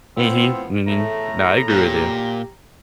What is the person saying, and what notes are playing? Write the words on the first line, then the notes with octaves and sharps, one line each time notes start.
Mhm, mhm. No, I agree with you.
A2 F3 B3 C4 E6
E2 A2 A3 A#5
A#2 G4